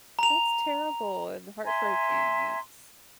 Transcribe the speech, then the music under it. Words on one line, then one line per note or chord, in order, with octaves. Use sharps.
That's terrible and heartbreaking, it's
A#5 F7
E5 G#5 A#5 C6